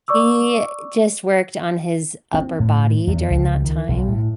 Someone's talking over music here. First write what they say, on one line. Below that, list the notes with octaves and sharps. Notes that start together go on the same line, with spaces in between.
He just worked on his upper body during that time.
D5 C#6 D6 E6
C4
A2
E2
C#2
D#3
B1
A2